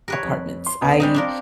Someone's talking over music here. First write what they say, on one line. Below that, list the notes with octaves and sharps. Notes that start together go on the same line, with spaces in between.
apartments. I
G4 A#4 B4 C#5
F2
C6
C#2 B3 D#6
G3 G#3 C4 D#4 G6
D4 F4 A#4